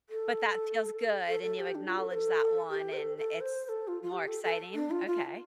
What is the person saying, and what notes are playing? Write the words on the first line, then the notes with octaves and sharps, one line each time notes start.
But that feels good, and you acknowledge that one, and it's more exciting? Okay.
A4
A4
A4
G4
D4
F4
A4
C5
A4
G4
C5
A4
A4
C5
C5
A4
F4
F4
G4
A4
A4
D4
F4
F4